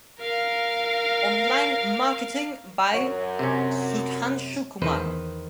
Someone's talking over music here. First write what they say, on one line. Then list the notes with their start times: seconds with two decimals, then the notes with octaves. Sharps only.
Online Marketing by Sudhanshu Kumar.
0.20 A#4 F5
2.92 F#2 C#5 F#5
3.39 C3 C#4
4.82 E2 D#3 B4 C5